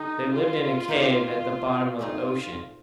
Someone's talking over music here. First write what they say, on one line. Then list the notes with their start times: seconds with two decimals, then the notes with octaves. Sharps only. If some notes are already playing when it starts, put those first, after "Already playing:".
They lived in a cave at the bottom of the ocean.
Already playing: D3 G3 D4 D#4
0.32 F4
0.88 D#3 A#3 D#4 G4
1.99 A#2 A3 C4 D#4 F4